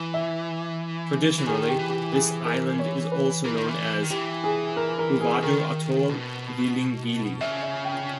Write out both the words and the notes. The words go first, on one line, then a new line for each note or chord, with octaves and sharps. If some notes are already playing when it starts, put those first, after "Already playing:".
Traditionally this island is also known as 'Huvadu Atoll Vilingili'.
Already playing: E3
E5
E3
D#3 G#4
G4
E3
G4
G#4
A#4
C#5
B4
E3 A#4
D#3
E3
D#3
E3 G4
G#4
A#4
A#4
G#4
D#3 A#4
B2
C#3 E5
E5
G5